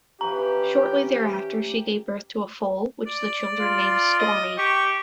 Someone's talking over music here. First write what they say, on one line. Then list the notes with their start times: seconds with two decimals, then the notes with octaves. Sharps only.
Shortly thereafter, she gave birth to a foal, which the children named Stormy.
0.21 E3 F3 C#4 G4 B4 A#5
3.06 D5
3.59 F4
4.19 D#5
4.58 G4 C#6